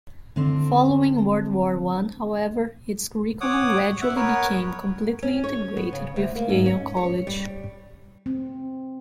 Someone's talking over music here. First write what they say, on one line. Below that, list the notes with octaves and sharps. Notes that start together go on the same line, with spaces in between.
Following World War One, however, its curriculum gradually became completely integrated with Yale College.
D3 C4 D4
C#5 F#5 D6 D#6
E5 F#5
B3 A#4 B4 C#5
C#4
C#5
B3
C#3
D2
A#3
G#2
C#4
C#5
G3
C4